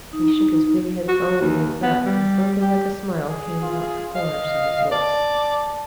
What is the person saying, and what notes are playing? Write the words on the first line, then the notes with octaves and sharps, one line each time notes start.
He shook his big head solemnly at that, and something like a smile came about the corners of his lips.
D#4
F#4
D#2
B3
G3
G4
G#4
F4
D#5 F5
D5 A5